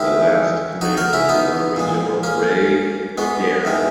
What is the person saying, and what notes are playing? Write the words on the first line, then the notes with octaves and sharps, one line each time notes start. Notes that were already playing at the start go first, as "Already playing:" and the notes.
The last commander was Army General Ray Odierno.
Already playing: E2 D#3 G#3 C#4 E4
D#4 F#4
F#4 A#4
C#4 E4
B3 D#4
A#2 G#3
A#3 C#4
G#3 B3
E2 D#3 G#3